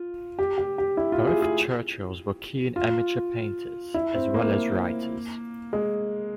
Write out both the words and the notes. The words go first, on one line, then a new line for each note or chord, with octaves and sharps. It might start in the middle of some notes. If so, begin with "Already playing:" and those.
Both Churchills were keen amateur painters, as well as writers.
Already playing: F4
G4
G4
G4
E4
F4
G#4
G#4
F4
E4
C4
A#3
G#3